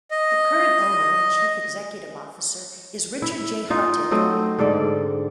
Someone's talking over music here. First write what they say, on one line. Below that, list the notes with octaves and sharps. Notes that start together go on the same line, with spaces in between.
The current owner and chief executive officer is Richard J. Hartig.
D#5
E4
D#4 F4
F#3 A3 C4 D#5
G#2 D3 A4 D5